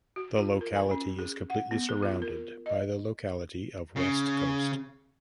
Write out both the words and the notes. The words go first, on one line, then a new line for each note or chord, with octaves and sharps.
The locality is completely surrounded by the locality of West Coast.
F#4
F4
A#4
G#5
C#4
G#4
F#5
B3
G#4
F4
A#4
D#5
C#3